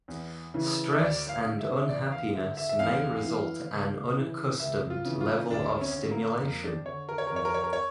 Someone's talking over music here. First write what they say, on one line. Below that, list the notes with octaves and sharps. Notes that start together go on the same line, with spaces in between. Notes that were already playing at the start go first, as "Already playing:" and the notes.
Stress and unhappiness may result an unaccustomed level of stimulation.
E2
C#3 E3
E5
D2 D5
F5
D3
E5
E5
E2 D5
F5
D3 E5
E5
E5
E2 F5
E3
C#2
C#3 E3
C#2 E5
F4
C#3 E3
F4
D2 D4
C#4
D3
A#3
F2 A#3
D4
D3 C#5
A#4
C#5
F2 A#4
C#5
A#4
C#5
A#4
C#5